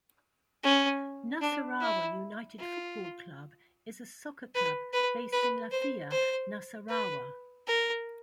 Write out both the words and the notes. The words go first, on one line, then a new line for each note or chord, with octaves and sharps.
Nasarawa United Football Club is a soccer club based in Lafia, Nasarawa.
C#4
D4
E4
F4
B4
B4
B4
C5
C5
B4
A#4